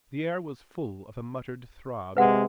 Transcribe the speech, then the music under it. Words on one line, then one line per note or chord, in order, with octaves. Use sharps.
The air was full of a muttered throb.
C3 G#3 B4 F#5